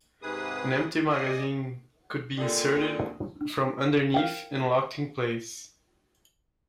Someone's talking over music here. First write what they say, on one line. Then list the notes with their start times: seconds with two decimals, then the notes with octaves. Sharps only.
An empty magazine could be inserted from underneath and locked in place.
0.22 G#2 C3 G#4 B4 D#6
1.10 D5 D#5 G#5 D#6
2.38 A#2 D3 C4 D4 G#4 G5
4.14 F5 G5